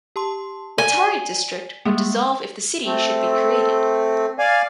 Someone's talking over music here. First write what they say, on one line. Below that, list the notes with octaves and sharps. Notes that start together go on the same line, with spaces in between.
Watari District would dissolve if the city should be created.
G4 A5 C6
D5 G#5 G7
G3 G#3 A#3
A3 C4
D5 F5 G#5